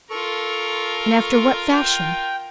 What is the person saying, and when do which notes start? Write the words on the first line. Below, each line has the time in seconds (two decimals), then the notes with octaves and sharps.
"And after what fashion?"
0.10 F4 A4 A#4 C#6
1.72 G5